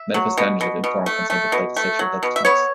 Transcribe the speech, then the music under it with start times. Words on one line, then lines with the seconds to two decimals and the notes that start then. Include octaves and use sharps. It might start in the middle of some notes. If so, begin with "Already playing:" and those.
Medical standards of informed consent apply to sexual health clinics.
Already playing: E5
0.14 F#3
0.38 B2
0.61 B2
0.84 B2
1.06 A3
1.30 A3
1.52 B2
1.77 A3
1.99 F#3
2.23 B2
2.36 E5
2.45 B3 C#5